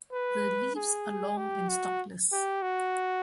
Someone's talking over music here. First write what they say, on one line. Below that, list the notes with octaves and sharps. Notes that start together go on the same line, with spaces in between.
The leaves are long and stalkless.
B4
G#4
G4
F#4
G4
F#4